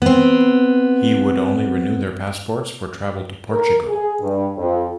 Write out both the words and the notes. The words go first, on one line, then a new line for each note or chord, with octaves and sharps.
He would only renew their passports for travel to Portugal.
B3 C4
A#4
G#4
G2
F2